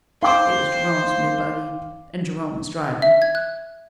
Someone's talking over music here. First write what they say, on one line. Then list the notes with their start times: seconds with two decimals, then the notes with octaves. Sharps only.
It was Jerome's new buggy and Jerome was driving.
0.23 C5 F5 G5 C6 D6
3.02 E5
3.22 G#6
3.35 F#6